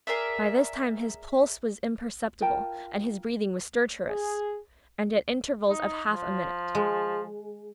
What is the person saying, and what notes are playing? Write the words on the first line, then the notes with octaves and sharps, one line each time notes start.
By this time his pulse was imperceptible and his breathing was stertorous, and at intervals of half a minute.
G#4 A#4 D5 E5
F4 A#4 G5 A5
G#4
D#4
F3
G#3